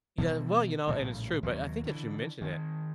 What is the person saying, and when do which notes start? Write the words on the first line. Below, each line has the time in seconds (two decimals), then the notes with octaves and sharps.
yeah, well, you know, and it's true, but I think that you mentioned it.
0.18 B2 E3 G3
0.87 A#1 A2 C#3 G3
1.43 D#2 C3 F#3
1.85 D3 E3
2.41 D#3 G#3